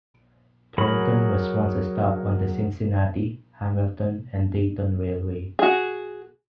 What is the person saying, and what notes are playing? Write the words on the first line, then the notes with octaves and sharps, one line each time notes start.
Trenton was once a stop on the Cincinnati, Hamilton and Dayton Railway.
F#3 G#4 A#4 B5
F#4 G#4